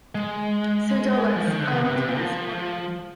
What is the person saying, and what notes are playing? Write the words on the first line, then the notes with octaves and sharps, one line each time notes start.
Pseudolus: I will do this for you.
G#3
F3
D#3
D3
C3
C3
C3
A#2
F3